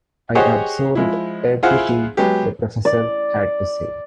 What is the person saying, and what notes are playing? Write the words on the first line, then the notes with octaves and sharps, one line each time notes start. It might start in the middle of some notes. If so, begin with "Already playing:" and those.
I absorbed everything the professor had to say.
G4 G#4 C5 C#5 D#5 F#5
F3 G#3 E4
E4 F4 G#4 C5 F5 F#5
F#3 G#3 B3 G4
D5